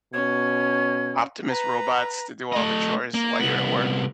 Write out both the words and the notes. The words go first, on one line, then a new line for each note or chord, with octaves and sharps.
Optimus robots to do all the chores while you're at work?
B2 C#4 G#6
B4 A#5
A3 D#5
A#3
C2 B3